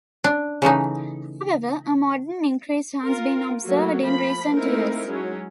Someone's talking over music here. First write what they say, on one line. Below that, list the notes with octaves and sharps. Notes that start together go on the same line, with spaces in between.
However, a moderate increase has been observed in recent years.
D4
C#3 E3 A3 D#4
F4 A#4
F#3 A3 A#3 F#4
F3 B5
A3 A#3 C4 D#4 E4 A#4
F#3 G#3 C#4